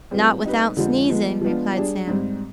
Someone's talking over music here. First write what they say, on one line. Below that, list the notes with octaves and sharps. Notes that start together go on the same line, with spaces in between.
'Not without sneezing,' replied Sam.
G3 C4 F4 G#4 B4
G3 C4 D#4 B4
F2 D3 F3 G#3 C4
F3 G#3 B3
F3 G#3 B3 D4 F4
G3 D4 G#4
G#2 G3 C4